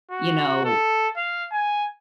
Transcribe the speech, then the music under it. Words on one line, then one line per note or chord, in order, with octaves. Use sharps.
you know,
F#4
A4
F5
G#5